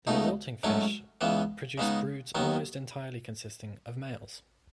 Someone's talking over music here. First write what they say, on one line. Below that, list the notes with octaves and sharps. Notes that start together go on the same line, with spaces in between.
The resulting fish produce broods almost entirely consisting of males.
C#2 B2 A3 D#4
G#2 F#3 A3 C#4
C#2 C#3 E3 B3
C#3 G#3 B3 D#4
D#2 D#3 F#3 B3